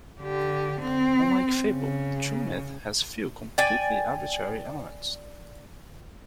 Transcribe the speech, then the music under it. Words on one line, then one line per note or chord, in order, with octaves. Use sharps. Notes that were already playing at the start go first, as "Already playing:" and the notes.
Unlike fable, true myth has few completely arbitrary elements.
D3 G4
C4
C#3
D5 G5 G#5